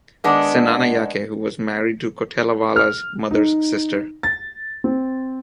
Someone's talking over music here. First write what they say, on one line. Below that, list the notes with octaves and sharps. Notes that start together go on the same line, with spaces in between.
Senanayake, who was married to Kotelawala's mother's sister.
D#3 G#3 B3 D4
F6
D#4
A6
C4